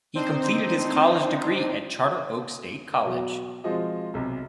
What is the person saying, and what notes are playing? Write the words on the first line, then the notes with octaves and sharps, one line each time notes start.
He completed his college degree at Charter Oak State College.
C4 D4 D#4 C5
B2 F#3
F3 G#3 C4 F4 F#4 D#5
B1 C3